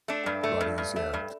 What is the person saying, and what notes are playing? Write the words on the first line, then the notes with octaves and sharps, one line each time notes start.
b b buddies, yeah,
A3 D4
G2
A3
G2
G2
A3
G2